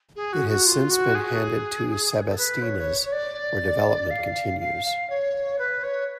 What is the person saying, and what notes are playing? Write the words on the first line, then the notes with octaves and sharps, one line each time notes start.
It has since been handed to "sebastinas", where development continues.
G#4
F#4
F#4
F4
F#4
G#4
A4
B4
C#5
C#5
C#5
D5
F5
F5
F5
C#5
B4
C#5